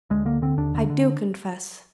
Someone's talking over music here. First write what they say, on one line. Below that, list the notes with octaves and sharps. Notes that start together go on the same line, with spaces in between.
I do confess.
D2 G#3
D3 A#3
D3 C4
D#2 D4
D3
D3